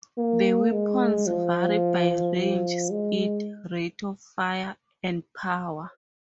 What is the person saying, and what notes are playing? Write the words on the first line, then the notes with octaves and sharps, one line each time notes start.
The weapons vary by range, speed, rate-of-fire, and power.
A#3
G#3
F3
F3
G#3